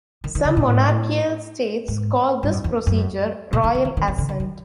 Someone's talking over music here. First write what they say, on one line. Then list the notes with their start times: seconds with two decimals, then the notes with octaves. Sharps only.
Some monarchical states call this procedure "royal assent".
0.24 D#3
0.35 D#3
0.45 D3
0.57 A#2
0.67 A2
0.77 G#2
0.87 A2
1.88 G#2
2.43 G2
2.53 F#2
2.64 E2
2.87 F#2
3.53 A#2
3.64 D#3
3.75 E3
3.85 D#3
3.97 D#3
4.08 D#3
4.18 D3
4.29 D3
4.40 D#3